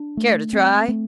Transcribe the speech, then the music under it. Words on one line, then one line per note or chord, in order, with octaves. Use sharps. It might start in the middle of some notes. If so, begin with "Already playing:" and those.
"Care to try?"
Already playing: D4
A3
C4
A3